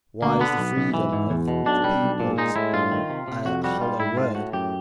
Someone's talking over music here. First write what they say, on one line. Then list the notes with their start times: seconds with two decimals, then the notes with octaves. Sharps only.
Why is the freedom of the peoples a "hollow word"?
0.22 D2 A#3
0.40 D3 B3
0.58 B1
0.76 B1
0.94 E3
1.13 G#2
1.30 E2
1.48 B2
1.66 B1 D4
1.84 G3
2.02 B1
2.20 A#2
2.38 G#3 D#4
2.56 A2 E4
2.73 G2 F4
2.92 D#3
3.10 C3
3.28 C3
3.45 F2 F#4
3.64 G3 F#4
3.81 G#2 F4
3.99 G#2 E4
4.17 A2 F4
4.35 A2 F#4
4.53 F#2 G4